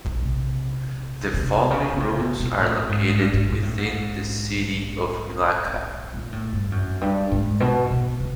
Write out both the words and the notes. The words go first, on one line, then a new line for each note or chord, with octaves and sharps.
The following routes are located within the city of Milaca.
C3
C#3
C3
C#3
C3
B2
B2
A2
G#2
G2
G#2
A#2
A2
G#2
A#2
A2
G2
F#2
G2
G#2
B2
B2
C3